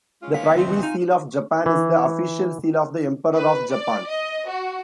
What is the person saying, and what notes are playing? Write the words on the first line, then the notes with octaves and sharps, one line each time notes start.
The Privy Seal of Japan is the official seal of the Emperor of Japan.
G#3 C#4 F4
G#3 A#3 B3 C#5 F5 B6
D#2 C#3 C4 D#5 E5
F#2 E3 F3 G#4
D#4 F4 G#5
E3
B4
D5
D#5
F#4